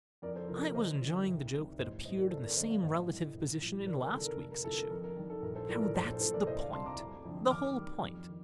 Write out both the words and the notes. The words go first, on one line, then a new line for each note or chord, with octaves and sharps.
I was enjoying the joke that appeared in the same relative position in last week's issue.' Now that's the point--the whole point.
F2 A#4 D5
A4 C5
C3 F3 A#4
A#4
D2 C5 D#5
D3 F3
C2
C3 D#3 G3
A1 C5 D#5
A2 G3 C5 D#5
A#4 D5
G1 A4 C5
A#4 D5
F2 D3 C5 D#5
D5 F5
A1 C5 D#5
A2 G3
A#1
A2 F3
D2 A#4 D5
A#4
C3 D#3 G3 A4
A#4
F1 A4
A#4
F2 D3 F3 A4
A#4
F2 A#4
A#4
D#3 G3
A4
A#1 A#4
A4 C5
A2 F3 A#4 D5
A#4 D5
A#1 A4 C5
A4 C5
A#2 F3 A4 C5
A#4 D5
C2 C5 D#5
D5 F5
C3 G3 A5 C6
A#5 D6
F1
F2 D3
D#2 D6 F6
D#3 G3
F2
D#3